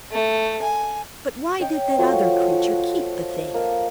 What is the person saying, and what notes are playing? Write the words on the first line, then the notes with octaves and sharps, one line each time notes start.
But why did that other creature keep the thing?
A3
G#5
C#5 D#5 G5 C#6
F3 A3 F#4 C#5
A#3 D#5 A5